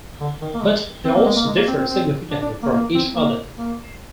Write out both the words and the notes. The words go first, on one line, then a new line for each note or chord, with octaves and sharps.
But they also differed significantly from each other.
D3
D#3
A#3
G#3
C4
A#3
G#3
A#3
G#3
A#3
C4
C4
C4
D4
D4
A#3
A#3
C4
A#3
A#3